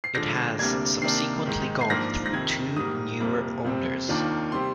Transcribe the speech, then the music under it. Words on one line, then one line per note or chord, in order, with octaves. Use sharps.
It has subsequently gone through two newer owners.
C7
D3 F3 G#3 D4 A#6
D2 C3 G3 A#3 D4 G#6
C3 D#3 A#3 D4 C7
G#2 D#3 G#3 D#4
C7
G#2 F3 A#3 D4 F4 A#6
A#6
F2 C3 D#3 G#6
G#2 G3 A#3 D#6
F2 C3 G3 A#3
F2 C3 G3 C4
D#2 D#3 A#3 D4 F4
C3 G3 C4 C6